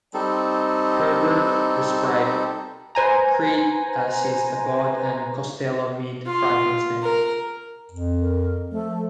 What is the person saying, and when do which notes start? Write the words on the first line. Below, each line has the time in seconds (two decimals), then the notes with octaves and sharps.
Herbert described "Creed" as his "Abbott and Costello Meet Frankenstein".
0.14 G3 C4 D#4 A4
2.95 B4 C5 G#5 A#5
6.26 F4
7.03 A#4
7.91 F2
8.22 A#4
8.71 F3 A3